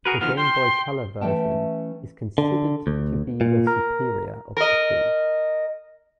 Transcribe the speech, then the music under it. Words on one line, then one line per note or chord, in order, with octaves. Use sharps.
The Game Boy Color version is considered to be the superior of the two.
F#4 G#4 A#4 B4
D#3 F3 B3 F6
G5 C6
E3 A3 C#4 G5 A5
D3
D2
A#2
A#4
A#4 D#5